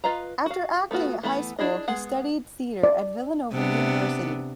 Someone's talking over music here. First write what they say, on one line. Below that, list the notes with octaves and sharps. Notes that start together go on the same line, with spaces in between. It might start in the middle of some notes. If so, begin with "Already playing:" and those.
After acting at high school he studied theater at Villanova University.
F4 B4 D#5 F5 A#5
F#4 F5
A3 B3 F4 F#4
E3 A3 B3 B5
D4 E4 G#4 D#5
G#3 B3 G#4 F#5
D5
C3 B3 D4